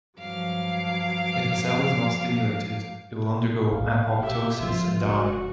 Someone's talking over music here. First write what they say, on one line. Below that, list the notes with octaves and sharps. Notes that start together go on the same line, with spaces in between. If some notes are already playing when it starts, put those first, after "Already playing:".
If a cell is not stimulated, it will undergo apoptosis and die.
G2 F3 F#3 F5 D6
A2 F5
A#2 G4 E5
F3 F4
F1 F#4